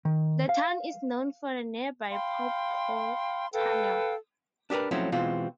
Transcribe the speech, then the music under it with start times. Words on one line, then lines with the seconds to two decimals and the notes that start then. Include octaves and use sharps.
The town is known for the nearby Paw Paw Tunnel.
0.05 D#3
0.49 F5
2.11 F5 G5 B5 C6
3.53 A4 B4 F5 G5
4.70 D4 G4 G#4 A#4 B4
4.91 F3 F#3 A3 C4 C#4 E4
5.12 B2 E3 G#3 C4 F4 F#4